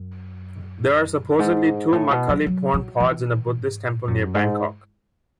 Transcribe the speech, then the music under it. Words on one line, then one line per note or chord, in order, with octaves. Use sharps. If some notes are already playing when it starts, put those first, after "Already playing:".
There are supposedly two Makaliporn pods in a Buddhist temple near Bangkok.
Already playing: F#2
G#2
A2
B2
F#3
F#3
F#3
E3
G#2
F#2
G#2